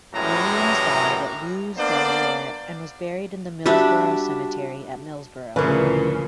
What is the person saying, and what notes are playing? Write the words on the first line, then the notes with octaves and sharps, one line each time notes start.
Williams died at Lewes, Delaware and was buried in the Millsboro Cemetery, at Millsboro.
F#2 A2 E3 G3 G#3 A#5
A#3 B3 D4 C5 D5
G3 D4 F#4 E5
D2 A#2 C#3 E3 F3 C#4 A#4 B4